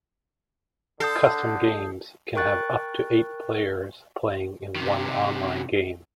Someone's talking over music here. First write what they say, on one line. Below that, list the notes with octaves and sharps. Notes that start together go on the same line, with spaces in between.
Custom games can have up to eight players playing in one online game.
D3 A4 D#6 G6 C7
A#4 G5 C#6 F#6 A6
C3 D#3